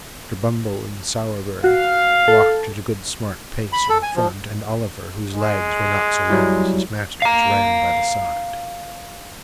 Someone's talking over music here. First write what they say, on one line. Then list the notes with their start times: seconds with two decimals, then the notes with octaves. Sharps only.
Mr. Bumble and Sowerberry walked at a good smart pace in front; and Oliver, whose legs were not so long as his master's, ran by the side.
1.64 F#4 F5
2.28 A4
3.73 B5
3.90 A4
4.02 G#5
4.15 F3
5.34 G#3
6.30 F#3 G3 E4
7.22 F5 A#5